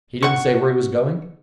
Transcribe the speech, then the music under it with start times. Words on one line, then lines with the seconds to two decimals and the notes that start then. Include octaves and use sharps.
"He didn't say where he was going?"
0.23 F#5 C#6